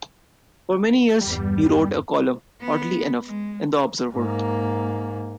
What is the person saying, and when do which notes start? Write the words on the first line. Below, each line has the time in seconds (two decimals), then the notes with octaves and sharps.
For many years he wrote a column, "Oddly Enough", in "The Observer".
1.21 G1 E2 G3 B3
2.60 B3
3.27 G#3
4.13 G#2 A#3